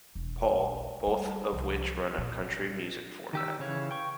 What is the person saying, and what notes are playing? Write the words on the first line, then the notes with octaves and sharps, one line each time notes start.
Paul, both of which run a country music format.
E1
B1
G3
C2 F3
A#2
D#3 G4 E6
C#3 E3 C#5 F5
G5 C#6